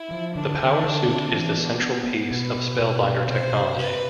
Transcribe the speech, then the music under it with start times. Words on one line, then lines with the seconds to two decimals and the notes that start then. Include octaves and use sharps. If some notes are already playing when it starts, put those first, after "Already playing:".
The power suit is the central piece of Spellbinder technology.
Already playing: E4
0.11 F3
0.35 D3 D4
0.60 D3
0.84 D3
1.08 C4
1.33 E3
1.57 B3
1.82 B3
2.06 B3
2.31 B2 B4
2.55 B2
2.80 B2
3.04 B2
3.28 C3 C5
3.53 C3
3.77 C3 B4